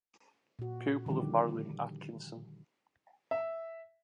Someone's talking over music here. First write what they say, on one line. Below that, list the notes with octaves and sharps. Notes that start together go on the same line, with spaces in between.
Pupil of Marilyn Atkinson.
A#2 F#4
D3 D#3 F3 G3 G4
E5